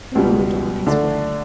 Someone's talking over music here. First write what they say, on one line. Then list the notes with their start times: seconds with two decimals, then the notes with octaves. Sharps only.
And he moved on his way.
0.15 C#2 B2 G3
0.87 D3 A3 D4 A4